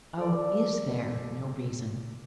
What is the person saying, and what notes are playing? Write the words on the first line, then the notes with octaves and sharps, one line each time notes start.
"Oh, IS there no reason?"
A4 D5